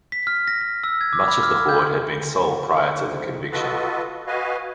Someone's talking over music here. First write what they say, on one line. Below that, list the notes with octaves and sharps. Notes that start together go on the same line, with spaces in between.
Much of the hoard had been sold prior to the conviction.
B6
F6
A#6
A#6
E6
G#6
D6
B5
F6
G6
F2 G#2
F4 F#4 A4 B4 D#5
F#4 B4 D#5 F5 G#5